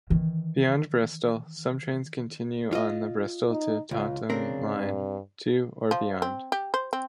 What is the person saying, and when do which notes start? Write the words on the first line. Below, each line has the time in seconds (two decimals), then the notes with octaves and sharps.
Beyond Bristol, some trains continue on the Bristol to Taunton Line to or beyond.
0.10 D#3 E3
2.73 F4 D#5
3.50 D#4
3.91 C#2 F4
4.30 C#3 C4 D4 A#4
4.77 G2
5.91 F3
6.22 C4
6.52 G4
6.74 C5
6.93 C4